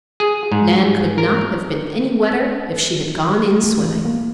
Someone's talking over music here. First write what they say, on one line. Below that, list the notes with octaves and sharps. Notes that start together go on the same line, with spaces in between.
Nan could not have been any wetter if she had gone in swimming.
G#4
G#2
A#4
A3
E3
A#3